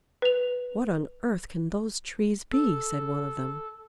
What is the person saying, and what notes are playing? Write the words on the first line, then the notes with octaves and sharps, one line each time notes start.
"What on earth can those Trees be?" said one of them.
B4 F7
A4